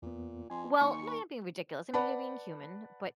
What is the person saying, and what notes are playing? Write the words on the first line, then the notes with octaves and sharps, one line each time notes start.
Well, now you're being ridiculous. I mean, you're being human. But
E2 A#2 B3
F2 G#5 C6
D#2 C#6
B4 D5 F#5 A5 B5